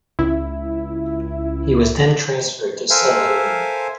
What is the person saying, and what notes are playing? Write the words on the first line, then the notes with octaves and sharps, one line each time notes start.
He was then transferred to subediting.
C#2 E4
A4 A#4 C5 E5 F5 G#5